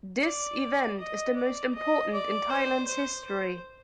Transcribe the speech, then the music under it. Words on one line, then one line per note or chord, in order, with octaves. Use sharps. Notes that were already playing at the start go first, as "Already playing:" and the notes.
This event is the most important in Thailand’s history.
D5
D#5
D5
D#5
D5
C5
C5
C5